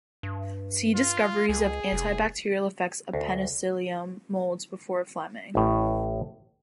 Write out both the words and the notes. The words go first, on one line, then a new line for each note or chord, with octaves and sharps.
See Discoveries of anti-bacterial effects of penicillium moulds before Fleming.
G2
F4
C#2 G#4
F1
D2
A1 A2